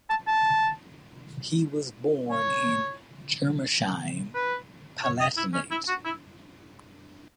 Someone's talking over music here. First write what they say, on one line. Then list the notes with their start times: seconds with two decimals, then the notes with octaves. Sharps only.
He was born in Germersheim, Palatinate.
0.10 A5
0.27 A5
2.31 C#5
4.35 B4
5.04 C#5
5.20 D#5
5.37 E4
5.54 C#4
5.71 E4
5.88 F#4
6.05 E4